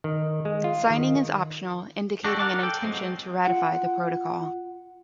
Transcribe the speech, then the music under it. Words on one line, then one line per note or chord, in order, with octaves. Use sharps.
Signing is optional, indicating an intention to ratify the Protocol.
D#3
G#3
F4
D#3
D4 F#4 G4 A4
A#4 F#5 A5 D6
A4 G5
F3 F#3 G#3 C4
F4 F#5